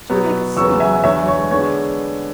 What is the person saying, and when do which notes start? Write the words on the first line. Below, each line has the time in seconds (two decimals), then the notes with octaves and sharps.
"She would make us so lively at Lowick."
0.10 B2 F#3 B3
0.57 E2 C#3 F#3 B3 C#6 E6
0.80 E5 G#5
1.04 E2 D3 F#3 C#5 E5
1.27 C#5
1.51 D3 G#3 B3 C#5